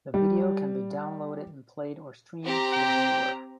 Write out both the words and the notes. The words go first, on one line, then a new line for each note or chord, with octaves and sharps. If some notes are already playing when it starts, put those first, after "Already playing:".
The video can be downloaded and played or streamed to the viewer.
G3
C4 G4 A#5
G5